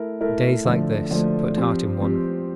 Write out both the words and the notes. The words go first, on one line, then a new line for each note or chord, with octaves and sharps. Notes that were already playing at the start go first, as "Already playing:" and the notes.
Days like this put heart in one.
Already playing: A3 E4 A#4
A3 E4 A#4
D3 F3 A3
D3 F3 A3
F3 C4 G4
F3 C4 G4